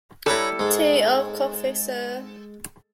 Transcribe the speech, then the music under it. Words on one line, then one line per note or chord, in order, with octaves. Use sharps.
Tea or coffee, Sir?
G3 E4 A4 B4 C#5 A#5
G#2 G#3